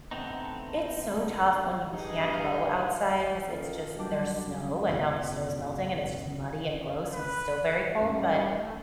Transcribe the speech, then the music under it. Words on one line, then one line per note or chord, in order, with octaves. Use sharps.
it's so tough when you can't go outside 'cause it's just there's snow and now the snow is melting and it's just muddy and gross and still very cold. But
D3 A3 B3 C4 D#4
G2 D#4 G#4
F5
D#3 C#4 F4 A4 A#4
F#3 G3 D4 A5 D6 G6
F#1 C#2 B2
B4
G3 C#4 D#4
A3